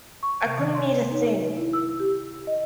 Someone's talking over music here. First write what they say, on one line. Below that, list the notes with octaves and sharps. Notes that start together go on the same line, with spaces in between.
I couldn't eat a thing.
C#6
C3
D#3
C6
C#5
D#4
E4
E6
G4
D#5